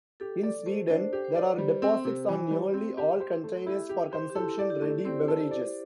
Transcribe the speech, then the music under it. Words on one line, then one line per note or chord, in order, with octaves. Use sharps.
In Sweden, there are deposits on nearly all containers for consumption-ready beverages.
G4 A4
A4 D5
A3 C5
D4 C5
G4
C5
D5
G3
C4
C3
E3
G3
C4
G4
C5
A3
E4 G4
G4
C5
G4
E4 A4
D5
G4
A3
D5
C4 C5
A4
D5